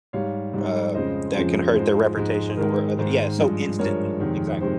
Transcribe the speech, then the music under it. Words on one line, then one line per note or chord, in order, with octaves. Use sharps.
uh, that can hurt their reputation or other Yeah, so instantly, exactly.
G#2 G3 C#5 F5
G#2 G3
F2 C#3 F3 G#3 C5 D#5
F2 C#3 F3 G#3 C5
G#2 F3 G#3 C5
G#2 F3 G#3
G#2 D#3 G#3 A#4
G#2 D#3 G#3 C5
G2 F3 G#3
G2 F3 G#3 A#4 C#5
F2 C3 D#3 G#3
C3 D#3 G#3 C5